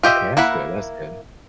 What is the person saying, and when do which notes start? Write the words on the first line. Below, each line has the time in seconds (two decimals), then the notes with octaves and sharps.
Okay. That's good, that's good.
0.03 F4 G4 D#5 E5
0.37 A#3 E4 F#5 B5